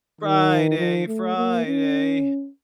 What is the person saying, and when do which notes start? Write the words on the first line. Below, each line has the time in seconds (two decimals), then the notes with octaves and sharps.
Friday. Friday.
0.21 D#3
0.78 F3
1.07 A3
1.37 A#3
1.67 C#4